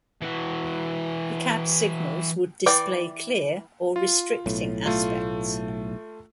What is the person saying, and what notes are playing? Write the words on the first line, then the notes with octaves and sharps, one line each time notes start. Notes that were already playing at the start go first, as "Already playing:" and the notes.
The cab signals would display "Clear" or "Restricting" aspects.
E3 F#4
E3 D5 G5
F4
B1 A2
A3 F4